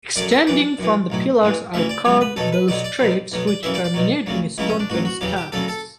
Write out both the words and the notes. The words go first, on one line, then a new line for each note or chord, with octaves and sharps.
Extending from the pillars are curved balustrades which terminate in stone pedestals.
F#2 D3 F#3 D5
E5
F#2 E3 D5
F#2 E3
B1 A2 F#3
A1 G2 E3
D2 C#3 E3 E5
D5
C#2 C#3 F#3 C#5
B4
B1 B2 F#3 A4
B4
B1 B2 F#3 D5
D5
B1 B2 F#3
B1 B2 F#3
D5
F#2 C#3 E3 E5
D5
D5
B1 B2 F#3
D2 C#3 F#3
C#2 C#3 F#3 E4
C#4
D4
A1 G2 F#3 F#4
F#4
E2 C#3 F#3 G4
G4
D2 C#3 F#3 A4
A4